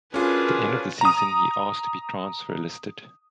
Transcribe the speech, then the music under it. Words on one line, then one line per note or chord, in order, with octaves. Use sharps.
At the end of the season, he asked to be transfer listed.
C#4 D4 F4 F#4 G#4 A#4 B4
A#5 D#6